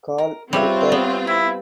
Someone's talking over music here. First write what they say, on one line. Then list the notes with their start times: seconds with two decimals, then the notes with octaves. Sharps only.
Carl Ritter.
0.18 A#4
0.53 G3 C4 F4 B4 C#5 E5
0.92 B3
1.27 E4 B5